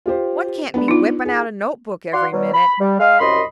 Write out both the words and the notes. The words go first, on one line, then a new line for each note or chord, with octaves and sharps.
One can't be whipping out a note-book every minute.
F4 G4 C5
B3 D4 B4
D#4 F4
G#4
F#4 D5 F5 F#5 C6
B2 F#3 G3
B5
G3
G#3 D#5 F5
C2 F#2 D#5 B5 C6